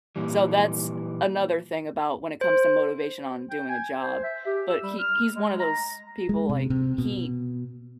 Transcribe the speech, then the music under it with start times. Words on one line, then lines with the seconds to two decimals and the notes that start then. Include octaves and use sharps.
so that's another thing about when it comes to motivation on doing a job, but he he's one of those people like, he
0.16 A#2 E3 G3
2.41 C5
3.50 G5
3.69 G#5
4.02 C5
4.23 E5
4.46 G4
4.69 E6
4.83 G3
4.99 F6
5.35 G#3
5.60 A#5
6.29 G#3
6.49 C3
6.70 C3
6.98 B2